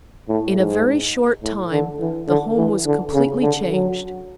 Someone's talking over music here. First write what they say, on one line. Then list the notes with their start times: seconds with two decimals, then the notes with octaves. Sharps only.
In a very short time the Home was completely changed.
0.29 A2
0.57 G#2
1.42 A2
1.71 D3
2.00 E3
2.28 D3
2.57 E3
2.85 D3
3.13 C#3
3.42 D3
3.70 F#3